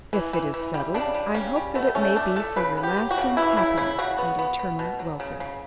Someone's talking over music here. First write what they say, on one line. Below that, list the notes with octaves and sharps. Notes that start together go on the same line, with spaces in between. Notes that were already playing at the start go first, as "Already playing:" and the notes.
"If it is settled I hope that it may be for your lasting happiness and eternal welfare."
E3
E3
E3
G3
C#3 D4
G3
C#3 C#4
G3
A3 B3
A3 C#4
A3 D4
A3 A4
C#3 B4
B3
G4
F#3
F#4
C#3
E3 E4
C#3 E4
C#3 E4
C#3 F#4
B3
B3
B3
B2
F#3
C#3
C#3